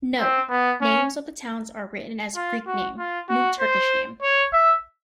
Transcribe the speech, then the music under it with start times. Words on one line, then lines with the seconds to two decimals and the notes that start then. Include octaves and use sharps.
Note: Names of the towns are written as Greek name, new Turkish name.
0.19 C4
0.49 B3
0.81 C#4
2.36 F4
2.67 F#4
2.99 F4
3.29 F#4
3.60 C5
4.23 C#5
4.53 E5